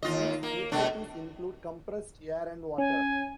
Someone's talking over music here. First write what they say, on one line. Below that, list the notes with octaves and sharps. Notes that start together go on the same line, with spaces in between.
These utilities include compressed air and water.
D#2 F4 D#5
A#3
B2 A3 D4
C#4 G#5